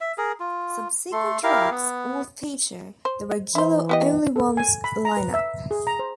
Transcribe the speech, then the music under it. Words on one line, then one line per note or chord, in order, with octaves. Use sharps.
Subsequent tracks all feature the regular Only Ones line-up.
E5
G#4 A#4
F4
A3 A4 C6
E4 G4 A#4 F5
B3
C5
E3 E4 C5
B3 G4 D#5
A4
G#5
B5
A#5
B4
E5
G#4
A#5
C5